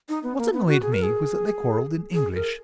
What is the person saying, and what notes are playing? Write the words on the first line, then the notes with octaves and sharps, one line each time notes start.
What annoyed me was that they quarrelled in English.
D#4
B3
A#3
B3
F#4
G#4
A#4
G#4
G#4
A#4